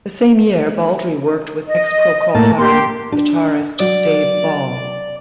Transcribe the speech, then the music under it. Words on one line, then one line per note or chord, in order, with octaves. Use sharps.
The same year, Baldry worked with ex-Procol Harum guitarist Dave Ball.
D#5
A2 A#3 A5
A#3 G4 C6
D4
F#3 D5